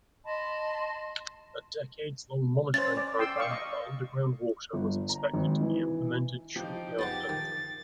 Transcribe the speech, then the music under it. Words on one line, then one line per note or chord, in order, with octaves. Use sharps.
A decades-long monitoring program for underground water was expected to be implemented shortly after.
D#5 A5 B5 C6
C#4 C5 A6
D5
G5 C6 E6
D5 F5 C#6
D#5 C#6
G1
A#5
G#1
E3
F3 D#4 G4
B3 G#4 F#5 A6
D#3